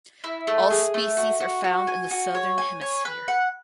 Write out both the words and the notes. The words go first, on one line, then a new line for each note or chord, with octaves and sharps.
All species are found in the Southern Hemisphere.
E4
A3
G#4
A3
F#4
F#4
F#4
G#5
F#4
C#5
G#5
C#5
B4
F#5